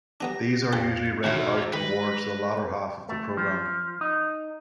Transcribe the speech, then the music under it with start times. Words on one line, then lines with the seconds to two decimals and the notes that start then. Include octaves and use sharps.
These are usually read out towards the latter half of the programme.
0.21 F#3 B3 D4 G4 A#6
0.73 F2 D4 G4 C5 F5
1.24 D#2 B2 D#3 D4 D#4 F#4 E5
1.73 D#3 G#3 B4 A#6
3.09 A3
3.37 F3
4.01 D#4